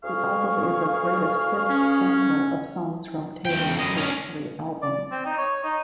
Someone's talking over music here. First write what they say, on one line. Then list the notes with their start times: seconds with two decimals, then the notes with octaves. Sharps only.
The album is a "greatest hits" sampler of songs from Taylor's first three albums.
0.03 D2 G#4 F5 C#6
1.69 C#4
3.45 E2 G5
3.77 F#2 D#5
3.97 C#4 D4
4.82 D5
5.12 C4
5.26 D#4
5.38 C#5
5.64 D#4